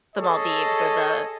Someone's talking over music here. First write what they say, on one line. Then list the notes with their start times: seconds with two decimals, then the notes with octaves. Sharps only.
the Maldives or the,
0.16 G#4 A4 C#5 D#5